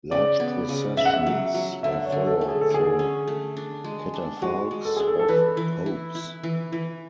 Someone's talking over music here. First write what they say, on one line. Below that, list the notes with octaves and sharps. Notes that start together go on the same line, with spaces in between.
Large processions have followed the catafalques of Popes.
C#3 D5
B3
C#3
C#3 E5
F#5
E5
F#3
F#3
D3 E5
C#5
D3
A4
A3
G#4
A4
D3 G#4
C#4
A3
D4
G#3
D4
G#3 F#4
G#3
A4
D4 G#4
A4
A4
E3 B4
E3
E4
E4
E3
E3